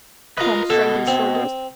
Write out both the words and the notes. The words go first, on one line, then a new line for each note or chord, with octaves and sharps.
Holmes shrugged his shoulders.
F4 A#4 B4 D#5
B2 A4
C4